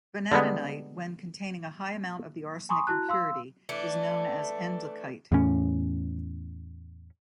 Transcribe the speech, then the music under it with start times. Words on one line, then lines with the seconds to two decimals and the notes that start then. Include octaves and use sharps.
Vanadinite when containing a high amount of the arsenic impurity is known as endlichite.
0.32 D3 G3 G#3 B3
2.69 G#5 A#5 C6 C#6 D#6
2.87 E4 F#4 A5 F#6
3.09 F5 C6 E6
3.69 E3 A3 D4
5.32 E2 A2 C#4